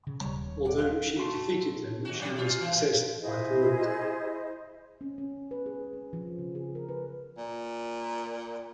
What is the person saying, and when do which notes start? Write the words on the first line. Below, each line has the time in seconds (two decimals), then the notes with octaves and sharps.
Although she defeated them, she was possessed by Farouk.
0.07 C#3
0.21 D#1 G3 C#5
0.65 D5 F#5
0.77 F3 G#3 F4
1.17 A3 F#4 C6
2.05 D#2 F#4
2.20 B2 F#3 G3
2.34 G#2 D#4 F4
2.61 E3
3.20 E4 G#4 C5 D#5
5.01 C#4
5.18 C#4
5.51 B4
5.66 G#4
5.93 C#4
6.13 F3
6.39 C#3
6.55 G#4
6.75 A#4
6.89 B4
7.37 A#2